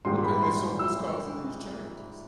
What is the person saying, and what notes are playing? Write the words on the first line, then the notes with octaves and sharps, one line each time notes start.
Okay, and so what's causing these changes?
A#1 G#2 D#3 G3 C6
B5
C6
E6